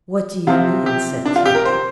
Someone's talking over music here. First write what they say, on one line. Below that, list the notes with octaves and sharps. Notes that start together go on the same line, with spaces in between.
"What do you mean?" said Carrie.
C3 F3 C4 F4
G4
D4
F4
G4
A#4
C5